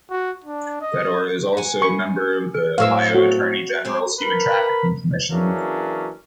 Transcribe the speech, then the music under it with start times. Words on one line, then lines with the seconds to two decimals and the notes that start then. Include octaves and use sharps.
Fedor is also a member of the Ohio Attorney General's Human Trafficking Commission.
0.10 F#4
0.44 D4
0.81 D#5
1.57 F#5 G#5
1.82 B5 C#6
2.78 A2 F#3 C4 F5 C#6 E6
3.13 F#4 C#5
3.85 C3 G#3 C4
4.19 A#4 B4 B5
5.31 C#3 E3 F#3 A#3 C#4 D4